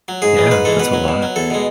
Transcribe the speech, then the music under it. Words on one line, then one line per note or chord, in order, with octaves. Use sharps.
Yeah, that's a lot.
F#3
G#2 G#4
E3 G#3
G#2 B4
E3 G#3 A4
B2 B4
F#3
B2
F#3
E2 A4
B2 G#3